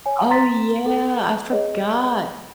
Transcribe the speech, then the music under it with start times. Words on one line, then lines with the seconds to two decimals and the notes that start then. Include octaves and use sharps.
Oh yeah, I forgot.
0.06 C#5 G#5
0.30 A#5 C6 A6 B6
0.86 A4
1.51 G#4 C#5 D#5